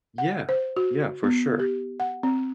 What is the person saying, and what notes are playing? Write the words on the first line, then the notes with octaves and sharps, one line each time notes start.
Yeah. Yeah, for sure.
F#5
C5
F#4
B3
G4
F#5
C4